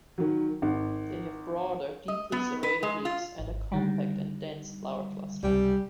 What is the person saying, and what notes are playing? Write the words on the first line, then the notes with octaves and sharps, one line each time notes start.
They have broader, deeply serrated leaves and a compact and dense flower cluster.
D#3 F#3
G#1
D#5
B3
B4
G#3
F4
G#1
D3 D#3 G3
C#2 C3 G3